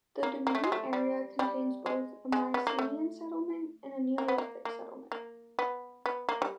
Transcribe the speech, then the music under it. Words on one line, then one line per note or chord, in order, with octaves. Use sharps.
The Dimini area contains both a Mycenean settlement and a Neolithic settlement.
A#3
A#3
A3
G#3
A3
G3
G3
G#3
G#3
B3
A#3
A3
A#3
B3
A#3
A#3
A#3
B3
B3
A#3
G3